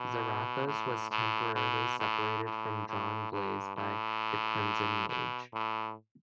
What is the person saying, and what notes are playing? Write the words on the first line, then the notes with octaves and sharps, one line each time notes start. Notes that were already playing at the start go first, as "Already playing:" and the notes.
Zarathos was temporarily separated from John Blaze by the Crimson Mage.
Already playing: B2
A2
A2
B2
A2
A2
A2
G2
A2
B2
A2